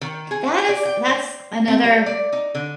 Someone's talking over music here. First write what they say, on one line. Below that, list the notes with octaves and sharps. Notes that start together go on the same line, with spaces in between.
That is that's another,
D#3
G#4
B3
D5
G5
C5
C4
G3
D5
D#4
D3